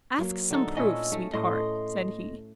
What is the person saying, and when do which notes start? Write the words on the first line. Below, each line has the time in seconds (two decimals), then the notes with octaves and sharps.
'Ask some proof, sweetheart,' said he.
0.18 F#3 A#3
0.51 D3 D#4 A4
0.77 A#2 A3 C#4 E4 D#5 E6
1.12 A3 D#4
1.34 A2 A3 D#5 C6 D#6